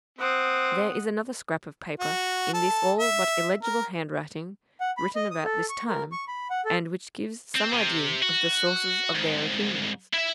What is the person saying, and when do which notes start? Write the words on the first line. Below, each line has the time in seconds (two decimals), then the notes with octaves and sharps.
There is another scrap of paper, in this all but illegible handwriting, written about this time, and which gives some idea of the sources of their opinions.
0.18 C4 F#5 D#6
2.00 F#4
2.54 A4
2.99 E5
3.63 A#4
4.80 F#5
4.97 B5
5.16 D#5
5.31 D#6
5.44 A4
5.69 C#6
5.88 A#4
6.12 C#6
6.28 B5
6.50 F#5
6.65 A4
7.55 C4
7.73 C3
8.22 F#4
9.15 C2 G#2
10.14 E4 E5